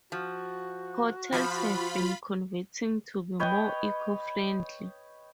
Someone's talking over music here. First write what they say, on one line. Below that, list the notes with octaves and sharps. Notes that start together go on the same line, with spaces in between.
Hotels have been converting to be more eco-friendly.
F3 F#4
F3 F4 B5
B4 C#5 D#5 G5